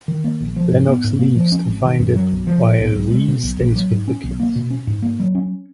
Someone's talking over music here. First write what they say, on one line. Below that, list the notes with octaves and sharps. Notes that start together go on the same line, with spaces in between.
Lennox leaves to find it while Reese stays with the kids.
D#3
A#3
A#1
F3
G#2
B3
G#2
A#3
F3
C#4
G#1
D#3
F#2
F#3
B1
F3
A#2
B1
B1
G#3
B2
B1
A#1
F#3
G#2
C#4
B1
A#3
B2
C#4
G#2
A#3
F#3
C#4